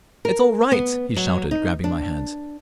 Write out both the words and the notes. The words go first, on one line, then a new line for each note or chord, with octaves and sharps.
"It's all right!" he shouted, grabbing my hands.
A#4
B3
F#3
D#4
D4